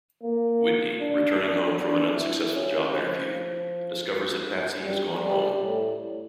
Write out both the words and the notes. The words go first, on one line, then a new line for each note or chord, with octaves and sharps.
Whitney, returning home from an unsuccessful job interview, discovers that Patsy has gone home.
A#3
D4
D4
D4
E4
C#4
F3
G3
G3
A2